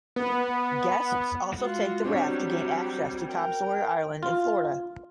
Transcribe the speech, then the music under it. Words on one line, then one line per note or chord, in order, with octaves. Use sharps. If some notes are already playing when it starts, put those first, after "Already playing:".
Guests also take the raft to gain access to Tom Sawyer Island in Florida.
B3
G#3 F4 F#4
F#3 G3 C4 D4 G4 C#5
A#4 G5
F4